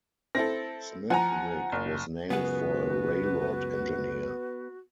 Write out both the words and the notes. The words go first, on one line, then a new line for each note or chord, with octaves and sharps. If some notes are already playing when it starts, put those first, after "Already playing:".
Smithwick was named for a railroad engineer.
C4 E4 A4 A#6
F3 F#5 G#5 A#5
F#1
C#2 F#2 B3 F#4 G#4 B4 F#5